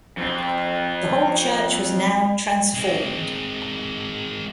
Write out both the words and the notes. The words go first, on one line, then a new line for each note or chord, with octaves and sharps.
The whole Church was now transformed.
F2 C4
G#3 C4